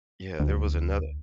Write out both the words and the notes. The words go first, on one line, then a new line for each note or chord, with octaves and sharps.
yeah, there was another
D2